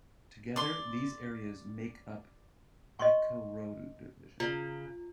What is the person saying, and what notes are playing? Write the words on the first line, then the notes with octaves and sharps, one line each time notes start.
Together these areas make up Ikorodu Division.
D5 C6
D#5 C6 C#6
C#3 F4